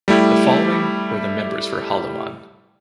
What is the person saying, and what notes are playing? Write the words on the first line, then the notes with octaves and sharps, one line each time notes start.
The following were the members for Haldimand.
G3 A3 E4 G4